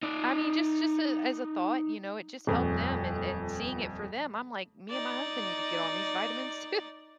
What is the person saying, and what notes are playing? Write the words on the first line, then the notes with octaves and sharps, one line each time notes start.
I mean, just just, uh, as a thought, you know, it just helped them and and seeing it for them. I'm like, "Me and my husband need to get on these vitamins too."
D#4 D5
D#1 F2
D#4 D5